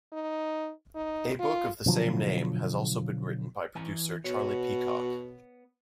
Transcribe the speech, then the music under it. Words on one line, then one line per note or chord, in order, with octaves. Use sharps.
A book of the same name has also been written by producer Charlie Peacock.
D#4
D#4
F4
B2 D3 F3 F#3
E3 G#5 A#5
B2 B3 F#4 C#5